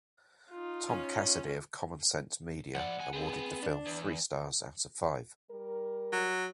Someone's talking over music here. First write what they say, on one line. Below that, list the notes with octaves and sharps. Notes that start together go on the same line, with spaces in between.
Tom Cassidy of Common Sense Media awarded the film three stars out of five.
D#4 F4
C#4
F3 D5 F#5
D#2 G#5
B3 C4 G#4
D4
E2
G3 A#4
F#3